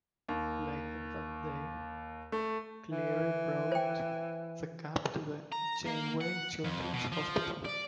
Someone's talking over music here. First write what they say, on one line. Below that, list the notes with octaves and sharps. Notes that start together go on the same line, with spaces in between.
Later that day, Cleary brought the Cup to the Janeway Children's Hospital.
D#2
A3
E3
C5 G5
A#5
A#3
F#5
F2
B2
F3
D5